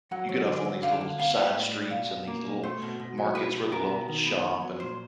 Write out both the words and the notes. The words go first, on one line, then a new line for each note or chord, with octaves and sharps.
you get off on these little side streets and these little markets where the locals shop, and
F#3 F#5
F#3
D3
F#3
D3 F5
D3
B3 F5
G3
A2
G3
B2 F5
B2
A#3
B2
A3 C5
B2
B2
F#3
B2 B4
G3
B3 A#4
B2
D#3
B3
B3
F#3
A#2 C5